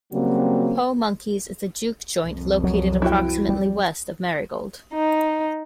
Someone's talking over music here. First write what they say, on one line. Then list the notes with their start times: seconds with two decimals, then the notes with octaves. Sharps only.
Po' Monkey's is a juke joint located approximately west of Merigold.
0.12 C#3 F#3 G3 A#3 C4 F#4
2.25 C2 F2
2.64 F#3
3.02 E4 F#4 G5
3.49 G3
4.93 D#4